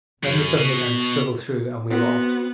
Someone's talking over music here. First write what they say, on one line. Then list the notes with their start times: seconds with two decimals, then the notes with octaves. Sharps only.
Then the sun began to struggle through and we were off.
0.23 F#2
0.57 B2
1.90 B3 C4 F#4 C5